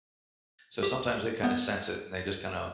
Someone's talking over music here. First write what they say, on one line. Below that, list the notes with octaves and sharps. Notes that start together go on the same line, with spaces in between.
so, sometimes they, kinda sense it, and they just, kinda
G4
B3